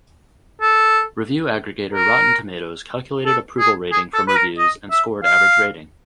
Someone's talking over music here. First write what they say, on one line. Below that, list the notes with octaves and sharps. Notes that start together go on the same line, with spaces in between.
Review aggregator Rotten Tomatoes calculated approval rating from reviews and scored average rating.
A4
A#4
A4
G#4
G#4
A4
B4
A#4
D#5
E5
F5